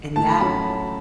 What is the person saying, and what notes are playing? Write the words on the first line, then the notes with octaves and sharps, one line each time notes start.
And that
A2 A5
B5
F#3 C#4 F#4 B5